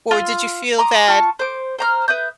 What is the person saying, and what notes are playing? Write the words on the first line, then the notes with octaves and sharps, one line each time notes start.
Or did you feel that
F4 C6 E6
A#5 C6 D6 D#6
F4 A5 C#6
C5 D6
C5 A#5 F6
B4 E5 D#6 G6